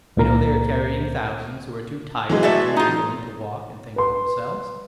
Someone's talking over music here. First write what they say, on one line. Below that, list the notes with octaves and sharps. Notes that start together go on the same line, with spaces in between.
We know they are carrying thousands who are too tired or too indolent to walk and think for themselves.
C#2 A#2 A#4 A#5
E3 F#3 G#3
A3 D5 E5
D#4 F4
B4 C6